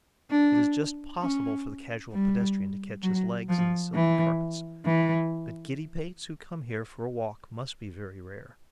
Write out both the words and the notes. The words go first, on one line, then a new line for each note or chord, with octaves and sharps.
It is just possible for the casual pedestrian to catch his legs in the silky carpets; but giddy-pates who come here for a walk must be very rare.
D4
C#4
G3
F#3
F3
E3
E3